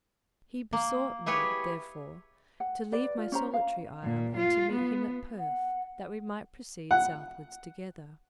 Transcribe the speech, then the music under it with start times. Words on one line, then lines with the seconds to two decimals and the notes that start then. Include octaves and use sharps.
He besought me, therefore, to leave my solitary isle and to meet him at Perth, that we might proceed southwards together.
0.73 A#3
1.26 E4 G4 G#4 B4 C#5
2.60 F#5
2.92 B4 D5
3.18 F4
3.32 C#4 C5 A#5
3.54 F5
4.03 A#2
4.36 F4
4.72 B3
5.38 F#5
6.91 F#5